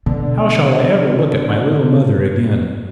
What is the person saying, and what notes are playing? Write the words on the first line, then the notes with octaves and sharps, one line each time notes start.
How shall I ever look at my little mother again?
B2 D3